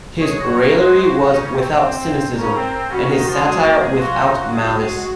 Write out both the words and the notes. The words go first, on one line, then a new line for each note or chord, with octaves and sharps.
His raillery was without cynicism, and his satire without malice.
G#3 G#4 C#5
F#3 F#4
A#3 A#4
G#3 G#4 C5
G#3 G#4
F#3 F#4
F#3 F#4
D#3 D#4 C#5
C#3 C#4
C4
C4
C5
C#3 C#4 A#4
C4
C4
C#3 C#4 F#4
D#3 D#4
F3 F4
G#3 F#4 G#4
A#3 A#4
G#3 G#4
F#3 F4 F#4
D#3 D#4
F#3 F#4
G#3 F#4 G#4
G#3 G#4